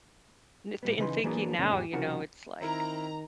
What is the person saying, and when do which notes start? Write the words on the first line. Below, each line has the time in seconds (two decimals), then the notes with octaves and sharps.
N th in thinking now, you know, it's, like
0.83 A2 G3 B3
0.98 C#3 E3 A3 D#4 B4 C6
1.24 E3 F#3 A#3 B3 D4 G#4
1.58 E2 C3 D#3 A#3 C#4 D4
1.70 E2 G#2 E3 G4
1.92 C2 C#3 F3 F#4 A#4 F#5
2.61 D#3 C4 E4 A#4 A#5